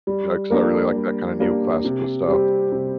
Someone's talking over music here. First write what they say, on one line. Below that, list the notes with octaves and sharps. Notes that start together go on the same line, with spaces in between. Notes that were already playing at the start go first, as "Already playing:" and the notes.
Yeah, 'cause I really like that kind of neoclassical style.
G3
A#3 D4 G4 A#4
G3
A#3 D4 G4 A#4
C3
G3 C4 G4
C3